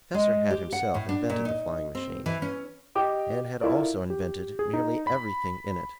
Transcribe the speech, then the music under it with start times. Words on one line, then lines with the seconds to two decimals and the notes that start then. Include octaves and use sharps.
The professor had himself invented the flying machine, and had also invented nearly everything in it.
0.14 G#3
0.50 G4
0.72 F#5
0.94 A2
1.09 D4
1.30 A#2
1.45 D#4
1.95 C4
2.26 E3
2.42 C#4
2.95 G4 D#5 G5 D6
3.61 E4 F4 A4 A#4 D5
4.10 G4
4.59 G#4
4.73 D#4
5.07 B5